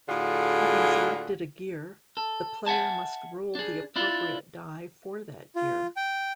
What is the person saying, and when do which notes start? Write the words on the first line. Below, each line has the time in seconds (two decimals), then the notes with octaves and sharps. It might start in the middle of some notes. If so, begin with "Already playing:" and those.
Having selected a gear, the player must roll the appropriate die for that gear.
0.08 A2 D3 F4 F#4 G#4
2.17 A4
2.66 E5 F#5 G#5 A5
3.55 D4 G#4
3.96 D4 E4 F4
5.56 F4
5.96 G5